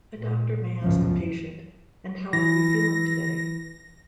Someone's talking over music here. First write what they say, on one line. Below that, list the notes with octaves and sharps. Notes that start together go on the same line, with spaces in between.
A doctor may ask a patient: And how are we feeling today?
A#2
C#2 F#2 B2 F3
E3 A#6